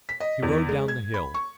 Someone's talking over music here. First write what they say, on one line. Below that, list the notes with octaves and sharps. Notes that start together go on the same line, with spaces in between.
He rode down the hill.
B6
D#5
E2
G#3
G#6
B5
C#6